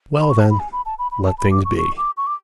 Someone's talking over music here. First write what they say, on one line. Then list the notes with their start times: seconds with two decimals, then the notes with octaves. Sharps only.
'Well, then, let things be.'
0.21 B5
0.30 C#6
0.40 A5
0.50 B5
0.59 G#5
0.72 B5
0.86 A5
0.99 B5
1.12 B5
1.26 A5
1.38 B5
1.51 D6
1.65 C#6
1.77 C#6
1.97 D6
2.17 C#6
2.27 D6